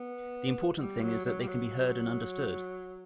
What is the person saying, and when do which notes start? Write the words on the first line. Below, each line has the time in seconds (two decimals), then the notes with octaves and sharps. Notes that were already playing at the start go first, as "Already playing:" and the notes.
The important thing is that they can be heard and understood.
Already playing: B3
0.80 G3
1.02 F#3
1.25 F#3
1.41 G3
1.48 F#3